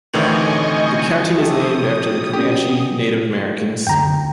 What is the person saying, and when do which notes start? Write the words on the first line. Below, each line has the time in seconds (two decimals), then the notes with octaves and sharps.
The county is named after the Comanche Native Americans.
0.14 D2 A2 C3 D#3 E3 D#5 G#5 C#6
1.36 F3 G4 A4 D#6
2.33 B3 C#4 D4 G4
3.87 F#1 D2 D3 G5 A#5